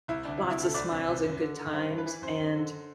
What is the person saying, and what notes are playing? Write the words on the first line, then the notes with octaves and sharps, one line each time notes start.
lots of smiles and good times, and
C2 E4
D2 D4
E4
C3
E4
D2 A4
C2 D5
C3
C2
F#2
D3
D3
G2 C5
G2
B4
E3
F#2 C5
F#2
D3